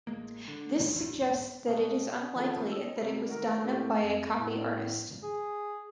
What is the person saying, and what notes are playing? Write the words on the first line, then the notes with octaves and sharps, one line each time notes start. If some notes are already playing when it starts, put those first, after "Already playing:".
This suggests that it is unlikely that it was done by a copy artist.
A1 G#3 A#3
D3
A#1 E2 G2
B1 G#2 B2 C4
B2
D#3 F3 C4 D#4 G#4 A4
D#5 E6
C3 G3
D#3 F#4 A#4
A2 A3 A#3 C4 C#4 G4
F2
A2
G#4